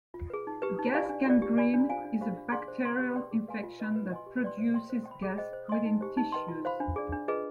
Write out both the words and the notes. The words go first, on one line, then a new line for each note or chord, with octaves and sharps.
Gas gangrene is a bacterial infection that produces gas within tissues.
F4
G#4 B4
D#4
G4 B4
D#4
G4 D5 F5 G#5
D4
F4 G#4 D5
G4
D5 G#5 B5
D4
F4 C5 F5 G#5
D4
G4 C5 F5 B5
D4
G#4 D5 G#5 C6
C5
G5 C6
G4
D5 G5 C6
G#4
B4 F5 G#5 C6
F4
B4 D#5 B5
B4
D#5 G#5 C6
G4
B4 D5 G5 C6
C5
G5 C6
C5
G5
B5
G#4
C5 D#5 G5
C5
D#5 G#5 C6
D#4
G4 C5
D#4
B4 D#5 G5 C6
F4
C5 F5 B5
D4
G#4 D5
D4
F4 G#4 B4 D#5